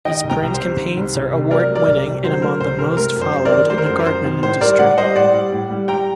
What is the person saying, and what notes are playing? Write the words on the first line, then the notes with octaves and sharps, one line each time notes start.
His print campaigns are award-winning and among the most followed in the garment industry.
D#3 D#5 G5
C2
G5 A#5
C2
C5
C3
D#3
C2
C2
C3
F#3 A#4 D5
A3
A#4 D5
C2
C3
F#3 C5
A3 A#4
C2 C5
C3 A#4
A3 A#4
F#2
C5
F#2
A#4 D5
D#3
A3 C5
A#4
F#2 C5
A#4
F#2 C5
D#3
A2 C5
G3 A#4 D5
A2 D5 F#5
G3 C5 D#5
A2 D5 F#5
G3
A2
G3
G3 G5 A#5